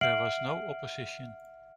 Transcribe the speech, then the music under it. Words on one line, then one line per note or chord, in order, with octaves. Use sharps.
There was no opposition.
E5 F#5 F6 C7 D7 F#7